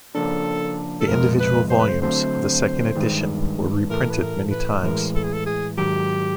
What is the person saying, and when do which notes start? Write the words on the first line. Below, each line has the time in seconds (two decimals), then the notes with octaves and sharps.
The individual volumes of the second edition were reprinted many times.
0.15 C#3 F3 A#3 D4 A4
1.01 A4
1.08 F2 C3 F3 G#3 A#4
1.40 B4
1.70 C5
1.79 B4
1.88 C5
2.02 D3 F#3 A3 C4 C5
2.96 G2 D#3 G#3
3.89 A2 E3 A3 A#4
4.10 B4
4.20 A#4
4.51 B4
4.83 A2 E3 G#3 A#4
5.15 A4
5.24 G#4
5.33 A4
5.46 G#4
5.77 G#2 D#3 F#3 G4